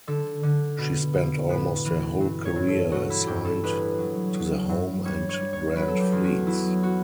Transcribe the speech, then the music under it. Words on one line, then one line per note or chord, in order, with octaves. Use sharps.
She spent almost her whole career assigned to the Home and Grand Fleets.
D3 A4
D3
B2
B2
A2 B4
E3
G2
C#5
G2
A4
G2 F#4
E4
G2 G4
A4
A1 B4
F#3
F#3
G2
G3 C#5
C#5
G3
C#5
F#3 B4
A4
G4
E2
F#4
F#3 E4
F#4